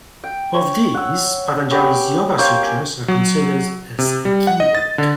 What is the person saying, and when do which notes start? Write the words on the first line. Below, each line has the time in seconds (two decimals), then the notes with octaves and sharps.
Of these, Patanjali's Yoga Sutras are considered as a key work.
0.24 G5
0.54 C#5
0.94 F#5 E6
1.71 B3 C#4 G4
2.38 A#3 C5 C#5 G5
2.62 G5 G#5
3.08 F#3
3.99 C3
4.25 G3
4.47 F#5
4.60 D#5
4.75 A6
4.98 D3